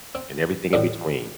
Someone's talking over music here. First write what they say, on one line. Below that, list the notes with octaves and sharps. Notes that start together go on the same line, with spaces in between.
And everything in between.
C4
A2 E3 G3 C4